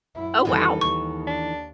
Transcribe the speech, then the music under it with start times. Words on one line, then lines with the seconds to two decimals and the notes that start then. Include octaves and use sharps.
Oh, wow.
0.15 F#2 E4
0.45 F2 D#3 E3 G3 A4
0.81 D#2 C#6
1.27 D4